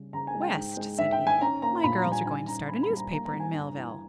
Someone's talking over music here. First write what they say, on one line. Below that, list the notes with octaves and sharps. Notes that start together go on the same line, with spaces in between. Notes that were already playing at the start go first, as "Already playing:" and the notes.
"West," said he, "my girls are going to start a newspaper in Millville."
Already playing: C#3 G3 C#4
C#3 A#5
G#5
G#3
G5
G#2
G#3
G#2 E5
G5
D#3
G#5
C#4 A#5
A#3 A#5
A#2 B5
A#5
G3
G#5
D#3 G#5
C#4 A#5
D#3 B5
B5
G3
A#5
A#3 A#5
A#5
G3
G#5
G2
E3